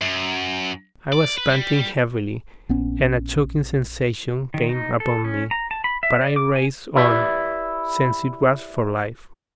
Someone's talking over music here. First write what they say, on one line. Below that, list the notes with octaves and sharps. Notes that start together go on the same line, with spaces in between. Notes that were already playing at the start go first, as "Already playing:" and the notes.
I was panting heavily, and a choking sensation came upon me, but I raced on, since it was for life.
F#2
D5
B4
G3
A#1 B3 C#4
D#3
D#4
A4
C#4
A#5
A5
B5
E5
D5
D6
G#5
E4 G4 B4 D5 E5